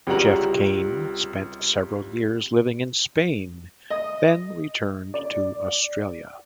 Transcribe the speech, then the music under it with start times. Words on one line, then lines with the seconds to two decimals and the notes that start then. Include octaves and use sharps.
Geoff Cain spent several years living in Spain, then returned to Australia.
0.07 C#2 C3 G3 F#4 A#5 F#7
3.91 D#5
5.14 D5